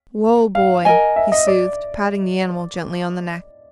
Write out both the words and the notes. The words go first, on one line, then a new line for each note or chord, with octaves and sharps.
"Whoa, boy," he soothed, patting the animal gently on the neck.
F5
A#4 D#5 G#5
E5
D#5
D5